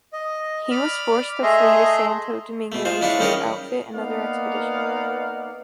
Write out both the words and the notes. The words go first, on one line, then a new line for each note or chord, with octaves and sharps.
He was forced to flee to Santo Domingo to outfit another expedition.
D#5
D5 B5 F6
A3 G#4 D#5 E5 A#5 C6
B2 A3
G#3 F4 C5
G#3 D4 E4 F4 C#5
G3 C#4 D#4 G#4 A#4 C#5
A#3 B3 D#4 D5 F5 F#5